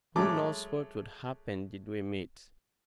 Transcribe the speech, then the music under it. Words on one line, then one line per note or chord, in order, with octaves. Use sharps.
Who knows what would happen did we meet.
F#3 G#3 A3 A5 D6